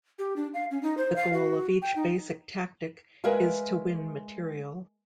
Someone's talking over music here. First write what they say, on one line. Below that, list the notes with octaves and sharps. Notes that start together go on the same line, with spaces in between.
The goal of each basic tactic is to win material.
G4
D4
F5
C#4
D#4
C5
F5
F#4
G5
D#4
G#3 A#4 B4 E5 F5 G#5